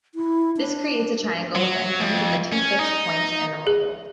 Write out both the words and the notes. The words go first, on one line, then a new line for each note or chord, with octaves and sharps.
This creates a triangle with endpoints at the two fixed points and the mobile.
E4
D4
F#3
F2
C#4
D#4
G#4